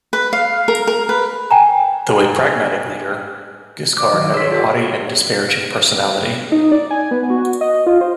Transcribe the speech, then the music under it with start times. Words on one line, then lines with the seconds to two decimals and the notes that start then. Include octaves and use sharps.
Though a pragmatic leader, Giscard had a haughty and disparaging personality.
0.13 B4
0.33 F5
0.68 A#4
0.87 A#4
1.09 B4
1.51 G5 G#5 A#5
3.98 D5 D6
4.13 D#3 F#3 D#5
4.34 G#4 C#5 C6 E6 B6
4.52 F4 G4 A4 D5 F#5 A5
6.52 D#4
6.72 D5
6.91 G#5
7.11 B3
7.30 F#4
7.61 D#5
7.87 F4
8.01 C5